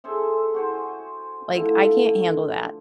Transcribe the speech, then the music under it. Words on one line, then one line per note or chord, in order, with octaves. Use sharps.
like, "I can't handle that."
G#4 A4 C5 E5
F#4 C5 G#5
D3 E3 F3 A3